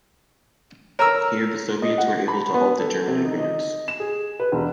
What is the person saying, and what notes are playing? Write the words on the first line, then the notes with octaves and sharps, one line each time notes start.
Here the Soviets were able to halt the German advance.
A#4 C#5 A#5 E6
D#5
F#5
B5
B3
A4
C3
D#4
D#5
E7
G#4
B4
E1